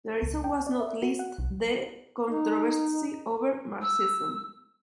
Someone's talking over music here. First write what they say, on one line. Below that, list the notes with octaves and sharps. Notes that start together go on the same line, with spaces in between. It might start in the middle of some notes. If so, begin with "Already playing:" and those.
The reason was not least the controversy over Marxism.
C#2
G5
D5
E5
F#4
F#5
B1
D#4
E6